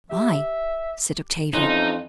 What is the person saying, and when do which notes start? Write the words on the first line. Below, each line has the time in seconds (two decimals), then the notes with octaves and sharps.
"Why?" said Octavia.
0.11 G4 E5
1.54 F2 E3 C#4 D#4 C6 F#6